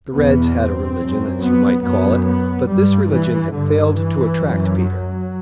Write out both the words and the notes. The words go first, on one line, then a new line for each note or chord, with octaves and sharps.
The Reds had a religion, as you might call it; but this religion had failed to attract Peter.
E2 B2 B3
C4
F#2
B3
F#2 B3
B3
G2 G3
E3
G2 D3
E3
F#2
F#3